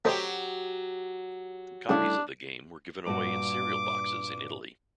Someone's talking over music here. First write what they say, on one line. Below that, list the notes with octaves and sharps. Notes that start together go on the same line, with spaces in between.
Copies of the game were given away in cereal boxes in Italy.
F#3 A3 G4 C5 D#5
C#3 G3 A3 D4 E4
G2 A#2 F#4 D6